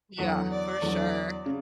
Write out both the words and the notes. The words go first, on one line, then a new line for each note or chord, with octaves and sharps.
Yeah, for sure.
E2 D3 F#3 F#5
D5
E2 D3 F#3
C#3